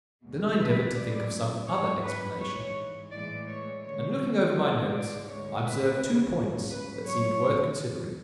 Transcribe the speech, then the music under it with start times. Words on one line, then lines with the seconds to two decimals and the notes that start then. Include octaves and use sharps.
Then I endeavoured to think of some other explanation; and looking over my notes I observed two points that seemed worth considering.
0.23 E2 B2 G#3
0.59 B4
0.95 F#2 C#3 G#3 D5
1.67 G#2 G#3 C#5
2.03 B4
2.39 G#2 E3 G#3 C#5
3.11 A2 E3 G#3 D5
3.46 C#5
3.82 F#2 D3 G#3 C#5
4.54 G#2 E3 G#3
4.90 D5
5.26 D2 D3 G#3 C#5
5.62 B4
5.98 E2 C#3 G#3
6.70 G#2 F#3 B4
7.06 C#5